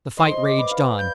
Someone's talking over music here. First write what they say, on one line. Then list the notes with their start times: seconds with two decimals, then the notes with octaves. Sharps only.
The fight raged on.
0.17 C5 D#5 C6
0.31 C5 D#5
0.44 C5 D#5 D6
0.58 B4 D5
0.71 D5 F5
0.98 G6